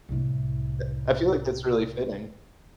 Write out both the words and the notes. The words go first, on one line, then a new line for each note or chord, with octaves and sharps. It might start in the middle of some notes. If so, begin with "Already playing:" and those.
E I feel like that's really fitting.
C2 A2